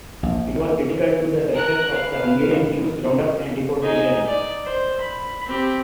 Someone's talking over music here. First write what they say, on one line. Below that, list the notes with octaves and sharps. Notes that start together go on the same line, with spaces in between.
It was critical to the success of the Hungarian Jews roundup and deportion.
A#1
A#4 F#6
B4 F5
D#4 G#5
D5
C5
B5
C4 G4